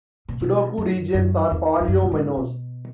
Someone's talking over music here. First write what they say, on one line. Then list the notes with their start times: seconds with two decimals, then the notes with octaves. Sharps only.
Sudoku regions are polyominoes.
0.29 A#2
0.41 B2
0.78 F#2
1.14 F#2
1.51 E2
1.80 E2
1.88 F#2
2.03 A#2
2.11 G#2
2.37 B2